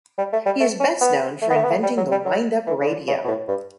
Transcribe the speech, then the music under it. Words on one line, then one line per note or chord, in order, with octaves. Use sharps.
He is best known for inventing the wind-up radio.
G3
A3
G3
A3
C#4
B3
A3
B3
A3
B3
A3
G3
F#3
G3
F#3
E3
C#3
D3
C#3
B2
A2
G2